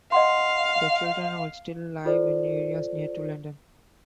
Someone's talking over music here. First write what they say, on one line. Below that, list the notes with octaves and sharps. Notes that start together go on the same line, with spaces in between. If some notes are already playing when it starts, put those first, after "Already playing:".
Their children all still live in areas near to London.
D#5 F5 F#5 C6
F4 A4 C5 D5